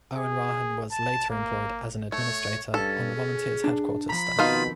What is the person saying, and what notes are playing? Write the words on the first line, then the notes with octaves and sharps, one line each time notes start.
O'Hanrahan was later employed as an administrator on the Volunteers headquarters staff.
G#4
A5
A#3
A3 C#5
G2 C#4 A4
G#4
D4
F3 A#5 B5
F2 B2 D#3 D#4 F4 F5 C6